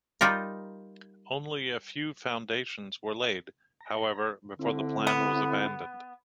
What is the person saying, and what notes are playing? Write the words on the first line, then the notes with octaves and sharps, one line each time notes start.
Only a few foundations were laid, however, before the plan was abandoned.
G3 D#4 F4 A#4
A#5
D3 C4 E4
B3